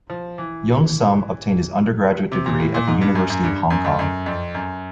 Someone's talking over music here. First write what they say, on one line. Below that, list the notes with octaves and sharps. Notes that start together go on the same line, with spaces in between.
Yeung Sum obtained his undergraduate degree at the University of Hong Kong.
F3
E3
C3
A#2
A2
A#2
G#2
G2
F#2
F#2
G2
F#2
F2
F#2
F2
F#2